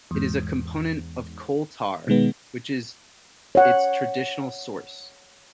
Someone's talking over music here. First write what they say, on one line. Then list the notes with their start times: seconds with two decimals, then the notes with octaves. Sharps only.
It is a component of coal tar, which is its traditional source.
0.11 E2 G#2
2.07 B2 D#3 G#3 B3
3.55 C#5 F#5